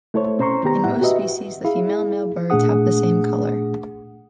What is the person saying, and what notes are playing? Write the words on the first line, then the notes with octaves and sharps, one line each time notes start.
In most species, the female and male birds have the same color.
A3 E4 A4 C5 C#5
C4 C#4 C5 A#5 C6 C#6
D#3 B3 G4 A#5
A2 E4 F#5
F#4 G4 B4 D#5 E5
E4 G#4 F5
A#2 A3 D4 G#4 F#5 D#6